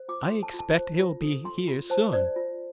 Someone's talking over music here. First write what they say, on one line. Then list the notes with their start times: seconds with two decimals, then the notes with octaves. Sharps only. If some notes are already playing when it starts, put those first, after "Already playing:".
I expect he'll be here soon.
Already playing: C5
0.09 F4 D6
0.26 C6
0.32 A4
0.43 A5
0.54 F4
0.59 A5
0.77 C5
0.99 F4
1.22 A4
1.44 F4 C6
1.68 F4
1.90 C5 A5
2.13 C5 D5
2.36 F4